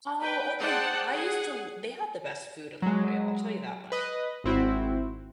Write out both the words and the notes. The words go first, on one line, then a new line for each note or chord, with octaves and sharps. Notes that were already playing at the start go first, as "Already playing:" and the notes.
Oh, okay. I used to l they had the best food in La Jolla, I'll tell you that much.
B4 G5
G#4 C5 D5 F#5 G5 A5
G#4 F#5
F#3 G#3
B4 D#5
G#1 C4 E4 F#4